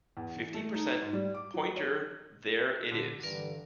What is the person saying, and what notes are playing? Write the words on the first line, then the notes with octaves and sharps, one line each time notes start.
Fifty percent pointer-there it is!
E2
E3
A3
D#4
G#2
G3
D6
F#3
C#5
A#2 D3
G2 D3 E3 A#4